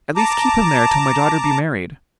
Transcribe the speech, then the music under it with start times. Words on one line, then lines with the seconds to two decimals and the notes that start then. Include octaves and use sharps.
"At least keep him there till my daughter be married."
0.16 A5 A#5 D6